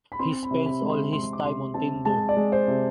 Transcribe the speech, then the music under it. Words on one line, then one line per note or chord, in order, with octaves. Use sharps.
He spends all his time on Tinder.
B5
C4 C6
B5
C3
B5
G#3
C6
G#3 C6
D6
C3 C6
C4 A5
G#3 A5
D5
G#3
C5
C3